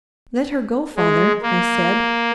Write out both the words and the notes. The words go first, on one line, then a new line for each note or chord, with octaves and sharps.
"Let her go, father," I said.
G#3
A#3